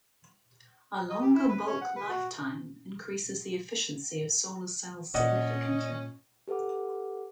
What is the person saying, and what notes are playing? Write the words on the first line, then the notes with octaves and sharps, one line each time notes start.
A longer bulk lifetime increases the efficiency of solar cells significantly.
D#5
G4
E4
B4
C#4
F#5
B4
F#4
A#2 C#4 D5 D#5 F#5
G4 A4 B4 F#5 D6